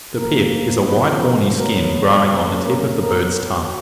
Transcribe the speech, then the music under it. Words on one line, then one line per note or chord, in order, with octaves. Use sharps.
The pip is a white horny skin growing on the tip of the bird's tongue.
A#2 F3 A#3 A#4
C#3 F3 B3 B4
A#4
B2 F#3 B3 A#4
C#3 F#3 A#3 B4
A#4
B2 F#3 B3 A#4